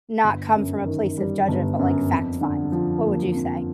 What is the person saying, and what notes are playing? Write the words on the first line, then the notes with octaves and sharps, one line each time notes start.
not come from a place of judgment, but, like, fact find. What would you say?
G1
F#2
D#3
G3
G1
F#2
F2
D3
F3
A#3
F2